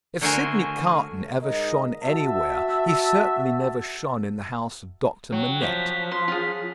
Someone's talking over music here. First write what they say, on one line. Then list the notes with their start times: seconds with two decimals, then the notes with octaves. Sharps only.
If Sydney Carton ever shone anywhere, he certainly never shone in the house of Doctor Manette.
0.21 D3 A3 F#4 A#4 C5 G#5
1.43 G#2 A#4 D#5
2.04 F#4 E5 A5
5.32 F#3 G5
5.63 F3 B6
6.11 C6
6.28 F4 G#4